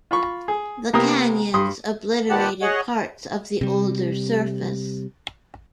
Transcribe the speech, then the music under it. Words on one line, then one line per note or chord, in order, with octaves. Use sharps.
The canyons obliterated parts of the older surface.
F4 B5 C#6
G#4
C3 A#3 B3 G5 A#5 D#6
G2 C6 D#6
A#2 D#3 B3 G4 F#5 A5
G#4 C#5 D#5 F#5
C3 G3